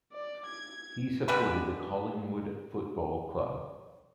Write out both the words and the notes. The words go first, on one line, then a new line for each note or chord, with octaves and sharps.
He supported the Collingwood Football Club.
D5
G#6
D3 G3 G#3 B4